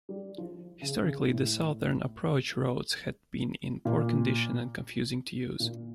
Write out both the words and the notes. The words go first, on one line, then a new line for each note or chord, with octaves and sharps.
Historically, the southern approach roads had been in poor condition and confusing to use.
G3
F3
C#3
C#3
A2
A#2
A#2